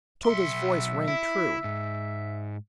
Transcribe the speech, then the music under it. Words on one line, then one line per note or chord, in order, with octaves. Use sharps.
Tode's voice rang true.
B1 E5 C6
E4
G#2